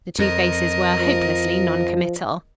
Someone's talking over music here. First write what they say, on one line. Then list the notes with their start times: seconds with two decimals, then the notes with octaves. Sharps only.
The two faces were hopelessly non-committal.
0.18 F2 A#4 D#5
1.00 F3